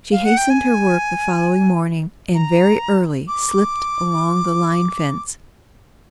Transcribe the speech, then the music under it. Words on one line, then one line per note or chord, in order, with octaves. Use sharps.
She hastened her work the following morning, and very early slipped along the line fence.
F5
F#5
G5
G#5
A#5
D6